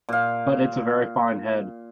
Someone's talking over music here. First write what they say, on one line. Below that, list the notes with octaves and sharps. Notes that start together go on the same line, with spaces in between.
But it's a very fine head.
A#2 F5